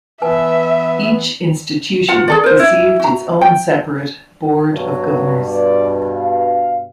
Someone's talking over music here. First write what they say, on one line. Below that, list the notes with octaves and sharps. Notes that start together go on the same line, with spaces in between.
Each institution received its own separate board of governors.
E3 B3 B4 E5 G#5 A5
F4 F#4 F#5
G#4 A4 D5
A#4 C5
E4
F#4 A#5
G5
G2 B2 F#3
D5
F5